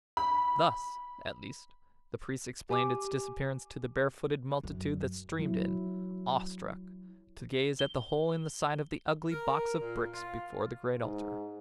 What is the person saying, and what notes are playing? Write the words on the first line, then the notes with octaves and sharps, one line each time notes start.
Thus, at least, the priests explained its disappearance to the barefooted multitude that streamed in, awestruck, to gaze at the hole in the side of the ugly box of bricks before the great altar.
B5
G4 G#5 D6
F#2
F#3 E4
G7
A#4
A#2
F4
G#2